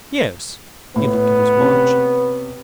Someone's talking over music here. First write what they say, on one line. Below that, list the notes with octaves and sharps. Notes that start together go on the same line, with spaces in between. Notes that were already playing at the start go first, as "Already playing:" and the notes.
"Yes!" He looked at his watch.
A2 B3
C3 C#4